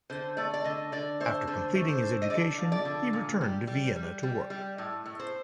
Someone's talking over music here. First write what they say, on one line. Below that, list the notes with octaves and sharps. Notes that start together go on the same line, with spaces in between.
After completing his education, he returned to Vienna to work.
D3 C5
A3 D5
D5
D3 D#5
D3 D5
A3 C5
D3 C5
A3
C5
D3
D#5
D3 D5
F3
D5
D3
A#2
G3
G3
G3
G3
G3
A2
A2
C5